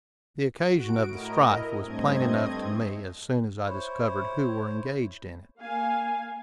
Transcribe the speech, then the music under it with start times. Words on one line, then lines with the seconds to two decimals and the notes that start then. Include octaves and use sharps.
The occasion of the strife was plain enough to me as soon as I discovered who were engaged in it.
0.67 F#4 D7
1.04 A2 E4 A#4 D#5
1.83 G2 A3 C4 D#5 G#6
3.66 E4 C5 C#5
5.58 A#3 F5 G#5